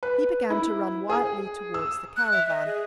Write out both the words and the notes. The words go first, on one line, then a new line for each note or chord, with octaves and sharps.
He began to run wildly towards the caravan.
B4
E4
G#4
E6
F#6
E5
D#5
G#4